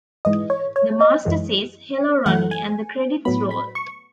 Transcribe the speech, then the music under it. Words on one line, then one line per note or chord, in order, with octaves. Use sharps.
The Master says "Hello, Ronnie," and the credits roll.
G#2 E3 G#3 D#5
C#5
C#5
D#5
F#2 E3 G#3
F#2 E3 A3 F#5
G#5
A2 F#3 B3 B5
B5
C#6